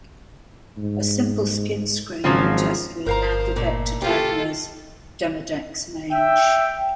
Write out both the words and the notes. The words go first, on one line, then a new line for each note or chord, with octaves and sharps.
A simple skin scraping test will allow the vet to diagnose demodex mange.
G#2
G#1 C#3 F3 F#3
G1 A#4 C5 F5 A#5
A#2 A3 A#3
A#2 C#3 F4 G4 A4
E5 G5